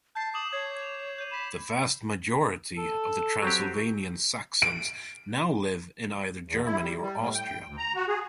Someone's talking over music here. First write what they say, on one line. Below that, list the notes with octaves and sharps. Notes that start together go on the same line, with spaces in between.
The vast majority of the Transylvanian Saxons now live in either Germany or Austria.
A5 G6 C7
D6 D#6 E7 F#7
C#5 G#6 C7
F7
G6 D#7
B5 B6 E7
A4
F#3 C4 G4
D7
E2
E4
G3
G3
A2
G5
D2
A#5
F#4
G#4